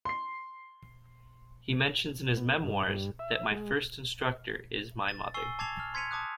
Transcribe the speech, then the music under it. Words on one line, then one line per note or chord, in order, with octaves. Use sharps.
He mentions in his memoirs that "my first instructor is my mother".
C6 C7
B2
G2
G2
E5
G#3
A6
G#5 C#6 E6 C7 G7
A5 D6 G#6 A6 C7 F7
F6
C6 G#6 B6 C#7 D#7 F7
A5 D6 D#6 F#6